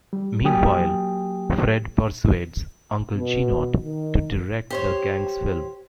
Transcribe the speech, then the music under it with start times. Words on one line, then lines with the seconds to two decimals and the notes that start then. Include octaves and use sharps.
Meanwhile, Fred persuades Uncle Jeannot to direct the gang's film.
0.13 G3
0.44 F#3 A#3 G4 G5 G#5 D#6
3.16 B2
3.82 D#3
4.70 G4 C5 C#5